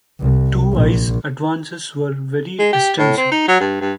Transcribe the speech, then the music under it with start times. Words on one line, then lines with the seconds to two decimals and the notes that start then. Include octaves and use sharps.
Two ice advances were very extensive.
0.20 C2
0.73 A#1
2.59 G#3
2.73 G4
2.98 A2
3.17 C4
3.32 D#4
3.48 F#3
3.60 G2
3.81 G2